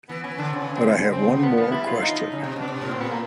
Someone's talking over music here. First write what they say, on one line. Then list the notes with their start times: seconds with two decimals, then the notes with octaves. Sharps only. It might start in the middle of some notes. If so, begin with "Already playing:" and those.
But I have one more question ...
0.09 E3 B3
0.23 E3 C#4
0.38 D3 D4
0.53 C#3 C4
0.64 C#4
0.76 C4
1.12 C#3 C4
1.23 C4
1.28 D3
1.42 F3 B3
1.57 F3 B3
1.72 G3 E4
1.87 F#3 F4
2.02 F3 D#4
2.32 C#3
2.44 C3
2.56 B2
2.61 D4
2.68 C3
2.81 A2
2.91 A#2 C4
3.00 B3
3.11 A#3